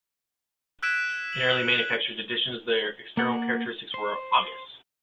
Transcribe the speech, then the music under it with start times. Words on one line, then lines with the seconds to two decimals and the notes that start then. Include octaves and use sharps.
In earlier manufactured editions the external characteristics were obvious.
0.83 E6 F#6 G#6 B6 D7 E7
1.33 F#7
3.17 A#3 F#5
3.94 C5